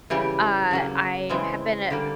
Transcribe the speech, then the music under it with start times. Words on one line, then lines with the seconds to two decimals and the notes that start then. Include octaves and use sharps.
Uh, I've have been a a
0.10 C#3 E3 G3 G4
0.71 C#3 F#3 A#3
1.30 C#3 E3 G#3 C4
1.90 D3 G3 A#3 G4